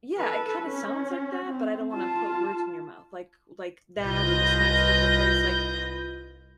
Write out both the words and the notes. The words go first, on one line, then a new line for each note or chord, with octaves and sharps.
yeah, it kinda sounds like that, but I don't wanna put words in your mouth, like like, that or the smash burger place, like
A4 B4
C#4
C4
F4 A5
C2 F4 B4 D#5 G6 A#6